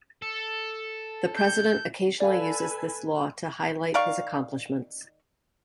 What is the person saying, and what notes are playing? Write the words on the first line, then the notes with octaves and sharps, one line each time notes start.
The president occasionally uses this law to highlight his accomplishments.
A4
G6
A4 B4 D5 F5 G#5
D#3 D5 F5 C#6